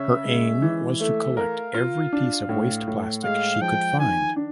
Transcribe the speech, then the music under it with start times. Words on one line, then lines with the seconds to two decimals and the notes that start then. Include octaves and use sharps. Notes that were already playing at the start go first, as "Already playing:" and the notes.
Her aim was to collect every piece of waste plastic she could find.
Already playing: C#3 C#4 E5
0.25 G#3
0.62 E3
1.00 A3 E5
1.37 A#4 F5
1.74 F4
2.13 D4
2.49 A2
2.88 A2
3.24 G#3 F5
3.61 F3 G5
3.99 D#3 G#5
4.36 D4